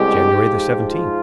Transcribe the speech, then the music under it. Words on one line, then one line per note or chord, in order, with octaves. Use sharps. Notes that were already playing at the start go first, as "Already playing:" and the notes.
"January the seventeenth."
Already playing: C2 B2 G#3 G4
G#2 F3 G#3
F4